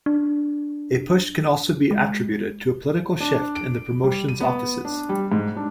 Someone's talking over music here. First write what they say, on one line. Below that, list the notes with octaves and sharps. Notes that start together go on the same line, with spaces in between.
A push can also be attributed to a political shift in the promotion's offices.
D4
G#3
D4
D7
G3
D#7
B3
D4
G3
G#2
D4